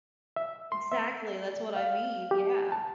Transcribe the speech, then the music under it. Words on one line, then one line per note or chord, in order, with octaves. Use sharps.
Exactly, that's what I mean, yeah.
E5
C6
E5
F5
G4
A5